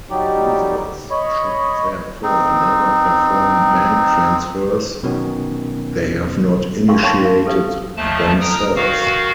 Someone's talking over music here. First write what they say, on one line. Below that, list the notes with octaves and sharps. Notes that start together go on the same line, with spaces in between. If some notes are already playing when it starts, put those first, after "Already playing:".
Users should therefore never perform bank transfers they have not initiated themselves.
F#3 G3 D#4 G4 D5
C#5 D#5 B5
C4 D#4
B2 D#3 F#3 B3 C#4 F#4
D#4 A#4 F5 G5 C6 C#6
C#5 F5 G5 A5 C6 C#6
F5
G4 A4 B4 C5 F5
D#2 F3 A3 A5
G5 A#5 D#6 F6
D#3 F#4 F5